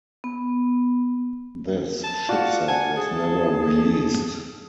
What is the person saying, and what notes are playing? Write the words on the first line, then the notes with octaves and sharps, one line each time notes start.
This chipset was never released.
B3
A5
F4 F#4 D5 F#5
F#5 G#5 A5
G#4 A4